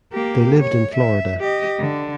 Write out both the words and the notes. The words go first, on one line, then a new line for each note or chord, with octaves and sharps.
They lived in Florida.
A#3 G4
C#5
E5
G4 D#5
D3